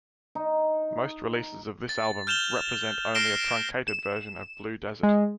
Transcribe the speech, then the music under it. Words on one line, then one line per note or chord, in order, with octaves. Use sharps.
Most releases of this album represent only a truncated version of "Blue Desert".
D#4
A6
F6 G6 E7 F7 G7
F6 A#6 C7 D7 E7 G7
E7
G#3